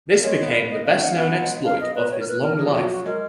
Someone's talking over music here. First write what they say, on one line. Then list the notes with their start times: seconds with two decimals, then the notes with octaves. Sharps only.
This became the best-known exploit of his long life.
0.19 A#3
0.23 G#3 C#5
0.41 B3
0.47 A#3
0.71 D#5
0.86 D#4 F5
0.95 C#4
1.02 F#5
1.12 F5
1.17 B3
1.23 F#5
1.30 F#3
1.41 G#3
1.65 F5
1.80 D#5
1.95 B4
2.11 C#5
2.20 A#4
2.28 B4
2.43 A#4
2.58 F#3 G#4
2.67 F3
2.74 F#3 F#4
2.90 F#4
3.06 G#3 A#4